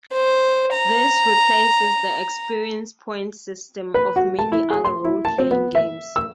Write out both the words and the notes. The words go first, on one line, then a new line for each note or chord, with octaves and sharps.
This replaces the experience points system of many other role-playing games.
C5
A#5
B4
F#4
A5
E4
G#4
C6
E4
A5
C4
B3
E5
E6